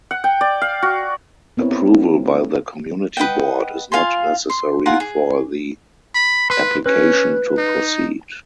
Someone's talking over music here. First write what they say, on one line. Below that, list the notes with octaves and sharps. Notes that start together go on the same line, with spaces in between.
Approval by the community board is not necessary for the application to proceed.
F#5
G5
D5
F5
F#4
B3 C4 E4 A#4 B4 C#5
B4 D#5 F#5 G5
F4 F5 G#5 C6
C6
F4 F#5 G#5 A#5
G#4
B5
B4 C6
C#4 B4
D#4